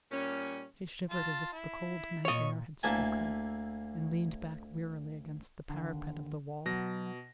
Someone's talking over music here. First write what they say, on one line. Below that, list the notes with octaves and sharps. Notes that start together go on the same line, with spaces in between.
She shivered as if the cold night air had struck her, and leaned back wearily against the parapet of the wall.
A#2 G3 C#4
F4 A5
E4
A#2 C#5 D#5 C#6
D2 A#3 E4 A4 G#5
D#2 D3
B2 F#3 A#6